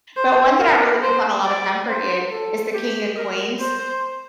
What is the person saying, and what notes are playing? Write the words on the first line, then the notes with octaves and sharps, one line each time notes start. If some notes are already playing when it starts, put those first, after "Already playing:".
But one that I really do find a lotta comfort in is the King of Queens.
C5
A#4
C5
D5
C5
A4
G4
A#4
C5